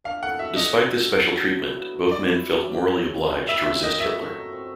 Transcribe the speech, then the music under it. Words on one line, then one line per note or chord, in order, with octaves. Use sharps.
Despite this special treatment, both men felt morally obliged to resist Hitler.
D4 F5
A4 F#5
F#4 E5
D4 D#5
D4
A4
F#4
D4
F#3
E4
B3
F#3
F#3 D5
E4
B3
F#3
G3
C#4
A#3
F#4
G3 E5
C#4 E5
A#3 D#5
F#4 E5
A3
D#4
C4